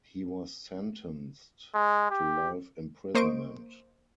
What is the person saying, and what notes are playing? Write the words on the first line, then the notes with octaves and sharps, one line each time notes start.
He was sentenced to life imprisonment.
G#3
G4
A#3 C5 D#5 C#6 D7